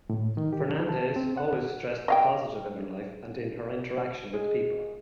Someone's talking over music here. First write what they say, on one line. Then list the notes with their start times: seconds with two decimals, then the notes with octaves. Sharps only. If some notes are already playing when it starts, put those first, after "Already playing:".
Fernandez always stressed the positive in her life and in her interaction with people.
0.10 A2
0.37 D#3
0.53 G4
0.69 D#3
0.89 A5
1.16 C4
1.37 F#5
2.08 D#5 F5 G5
4.33 G#3